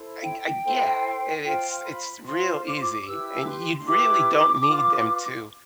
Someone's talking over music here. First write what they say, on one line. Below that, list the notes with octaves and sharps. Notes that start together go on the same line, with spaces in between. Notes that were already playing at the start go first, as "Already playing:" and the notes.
I g I g Yeah, it it's it's real easy, and you really don't need them to
Already playing: E4 A4 C5
F5
G5
E4 A4 C5
F4 C5 G5
B5
F4 C5 C6
D6
C6
D6
D6
E4 G4 B4 E6
C6
C6
E4 G4 B4 D6
F4 B4